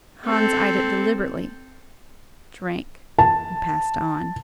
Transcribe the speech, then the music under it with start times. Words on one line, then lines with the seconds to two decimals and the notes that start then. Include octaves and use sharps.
Hans eyed it deliberately, drank, and passed on.
0.24 C4 A4
3.19 A5